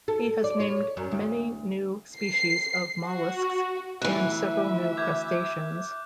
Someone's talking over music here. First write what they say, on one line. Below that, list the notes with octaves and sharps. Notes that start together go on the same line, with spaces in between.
He has named many new species of molluscs and several new crustaceans.
A4
D5
C#5
F#2
D2
C7
F#4
D2 E3 E5 F#6
D6 G6 G#6